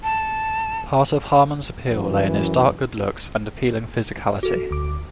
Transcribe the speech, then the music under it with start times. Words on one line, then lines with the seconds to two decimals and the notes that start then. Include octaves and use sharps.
Part of Harman's appeal lay in his dark good looks and appealing physicality.
0.03 A5
1.89 F#2 E3
4.43 F#4 A4
4.71 D2 D6